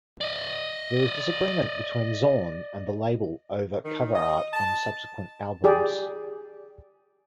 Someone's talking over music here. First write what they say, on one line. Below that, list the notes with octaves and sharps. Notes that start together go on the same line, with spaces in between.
There was disagreement between Zorn and the label over cover art on subsequent albums.
D5 D#5
D#3
D#5
A5
G4 G#4 D5